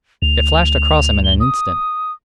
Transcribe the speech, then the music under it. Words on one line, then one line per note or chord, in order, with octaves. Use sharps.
It flashed across him in an instant.
D2 F7
G7
D#6